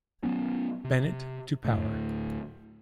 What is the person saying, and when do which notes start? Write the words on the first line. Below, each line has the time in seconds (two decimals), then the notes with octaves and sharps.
Bennett to power.
0.23 F#3 B3 C#4
0.84 C3
1.65 D2 A2